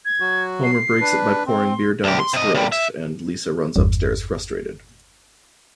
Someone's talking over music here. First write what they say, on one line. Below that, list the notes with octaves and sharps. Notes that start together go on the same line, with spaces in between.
Homer breaks it by pouring beer down its throat, and Lisa runs upstairs frustrated.
G#6
F#3 F#4
C7
D4 B4
C4 C6
D2 G4
C6
C3 D#5
A#2 G3
E5
G1 E2 G2